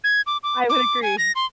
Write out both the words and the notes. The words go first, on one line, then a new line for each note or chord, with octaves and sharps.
I would agree.
G#6
D6
D6
D6
G#5
A#6
C6